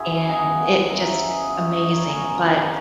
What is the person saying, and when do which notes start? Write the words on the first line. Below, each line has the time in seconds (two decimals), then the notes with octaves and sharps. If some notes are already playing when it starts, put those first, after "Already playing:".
and it just i amazing, but
Already playing: F#2 E4 F#4 G#4
0.24 G#5
0.29 C#3 F#3 B3 D#5 F#5
0.69 F#2 E5 G#5
0.89 F#5 A#5
1.09 C#3 F#3 B3 E5 G#5
1.29 D#5 F#5
1.41 D#5
1.49 F#2 C#5 E5
1.69 B4 D#5
1.89 C#3 F#3 B3 A#4 C#5
2.01 G#4
2.09 F#4 A#4
2.30 F#2